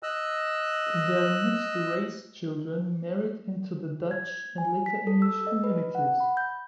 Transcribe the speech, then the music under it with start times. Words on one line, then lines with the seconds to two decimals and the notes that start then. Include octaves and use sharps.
Their mixed-race children married into the Dutch and later English communities.
0.03 D#5 E6 F#6
4.11 G#6
4.58 G#5
4.86 B6
5.07 A4
5.22 E6
5.47 D#5
5.64 B4
5.95 F#5
6.20 B5
6.37 G6